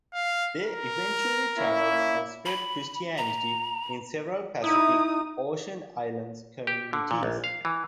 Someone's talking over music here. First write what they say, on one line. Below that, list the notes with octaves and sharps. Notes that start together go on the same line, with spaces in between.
They eventually traveled and spread Christianity in several Pacific Ocean island communities.
F5
A#4
A#3 C#4 E4
B5
A#5
D#4 E4 D#6
G4
D3
A#2
A#1
F5
E3